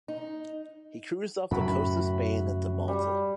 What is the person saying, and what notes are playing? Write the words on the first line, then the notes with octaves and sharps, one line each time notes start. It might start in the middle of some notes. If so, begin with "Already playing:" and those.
He cruised off the coast of Spain and to Malta.
D#4
F#2 A2 C#3 F#4 B5
G3